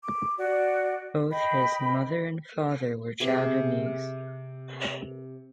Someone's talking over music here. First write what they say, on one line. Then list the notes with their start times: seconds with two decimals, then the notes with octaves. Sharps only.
Both his mother and father were Javanese.
0.04 D6
0.37 F#4 D5
1.31 D#5 G5 B5
3.20 C3 G#4